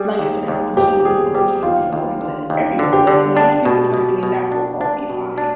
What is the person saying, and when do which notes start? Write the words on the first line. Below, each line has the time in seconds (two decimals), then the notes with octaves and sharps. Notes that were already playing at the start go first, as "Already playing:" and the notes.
like I said, everyone seems to focus on themselves and then everyo like, once people start doing that, we'll all be fine
Already playing: G3 G#4
0.19 D#2
0.48 D#2
0.77 D#2 G4
1.00 G4
1.05 G3 G#4
1.34 G3 G4
1.63 D#2 F4
1.93 D#2
2.21 D3
2.50 D#2
2.79 D3
2.93 G4
3.07 D3
3.37 D4
3.65 B2
3.94 B2
4.23 B2
4.52 D4
4.81 D4
5.10 B2
5.38 D4